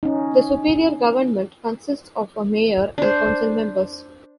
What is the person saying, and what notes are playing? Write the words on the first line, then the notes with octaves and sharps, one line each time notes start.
The Superior government consists of a mayor and council members.
C#4 D#4
D4 C5